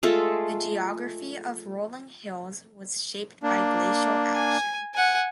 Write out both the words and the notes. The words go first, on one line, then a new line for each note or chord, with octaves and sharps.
The geography of rolling hills was shaped by glacial action.
G#3 A3 F4 A4
A#3 D4
G#5
F#5 G#5